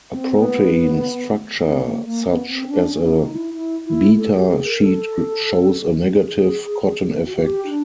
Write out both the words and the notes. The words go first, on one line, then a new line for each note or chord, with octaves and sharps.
A protein structure such as a beta sheet shows a negative Cotton effect.
C4
B3
C4
B3
A#3
A#3
B3
C4
C#4
D4
C#4
E4
D#4
E4
E4
E4
A4
G4
G#4
A#4
A4
G#4
F#4
G4
D#4
D4